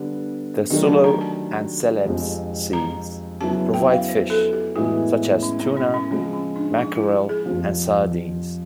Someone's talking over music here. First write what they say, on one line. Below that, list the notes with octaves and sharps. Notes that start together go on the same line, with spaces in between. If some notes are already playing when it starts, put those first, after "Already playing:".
The Sulu and Celebes Seas provide fish such as tuna, mackerel, and sardines.
Already playing: D3 G3 B3 D4
D#3 F#3 A3 D4 G4 D#5
A5
A#5
A5
F2 C3 F3 G#3 C4
A#5
C#3 F#3 B3 E4 A5
G5
F5
C5
A4
G4
A2 E3 G#3 B3 E4 F#4
C#4
C4
C#4
C#4
C#3 F3 G#3 C4
C#4
D4
D#4
E4
G#4
F2 C3 F3